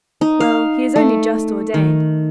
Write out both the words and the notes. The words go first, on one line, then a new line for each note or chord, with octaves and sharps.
Well, he is only just ordained.
D#4
F5
A3
D#3